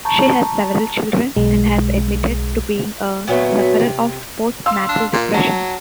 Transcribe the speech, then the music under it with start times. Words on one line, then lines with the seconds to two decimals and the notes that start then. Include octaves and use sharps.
She has several children and has admitted to being a sufferer of post-natal depression.
0.05 A5 A#5 C#6 G6
1.36 B1 G#3
3.27 A#2 F#3 A3 B3
3.80 C3
4.66 F5 C6 E6
4.89 D4
5.13 A#2
5.34 F#3 A5